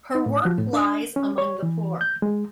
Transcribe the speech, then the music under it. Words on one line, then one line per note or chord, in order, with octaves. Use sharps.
Her work lies among the poor.
D#4
A2
F3
A2
D4
C#4
C#5
E3
G6
G#3